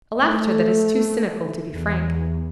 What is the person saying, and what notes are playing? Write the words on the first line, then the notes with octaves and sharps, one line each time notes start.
A laughter that is too cynical to be frank.
A3
E2